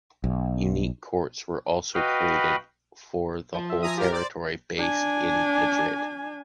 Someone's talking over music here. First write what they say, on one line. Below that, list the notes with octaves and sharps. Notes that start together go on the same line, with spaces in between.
Unique courts were also created for the whole territory, based in Madrid.
B1
F#4 B4 D#5 F5 G5 B5
F3
E5
G#5 A#5 D#6
F4 G4 A#4
C5 D5
D4 G#5